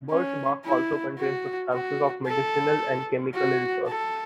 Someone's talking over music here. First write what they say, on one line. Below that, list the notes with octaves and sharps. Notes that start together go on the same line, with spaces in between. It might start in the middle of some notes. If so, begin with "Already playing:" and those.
Birch bark also contains substances of medicinal and chemical interest.
C#4
E4
F#4
F#4
A4
F#4
A4